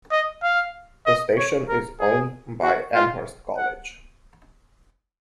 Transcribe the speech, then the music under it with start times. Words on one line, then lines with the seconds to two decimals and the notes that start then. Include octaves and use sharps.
The station is owned by Amherst College.
0.11 D#5
0.43 F5
1.06 D#5
1.37 C#5
1.68 A#4
2.00 G#4
2.63 F#4
2.95 F4
3.57 F#5